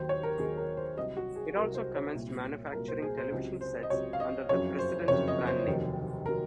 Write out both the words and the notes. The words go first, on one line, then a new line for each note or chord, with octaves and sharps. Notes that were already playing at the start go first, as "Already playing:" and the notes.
It also commenced manufacturing television sets under the Precedent brand name.
Already playing: D#2 D#3 F#3 C5
C#5
A#4
D#2 D#3 F#3 G#4
A#4
C5
C2 C3 F#3 D#5
F#4
G#4
C2 C3 F#3 A#4
C5
C#5
C2 A#2 F#3
C2 A#2 F#3 A#4
C5
G#4
C5
C#2 C3 F#3
C5
D#5
C#2 C3 F#3 C#5
F5
D#5
F#1 F2 C#3 F#3 C#5
C5
F#1 F2 C#3 F#3 C#5
D#5
C5
F1 D#2 D#3 F#3
A#4
D#3 F#3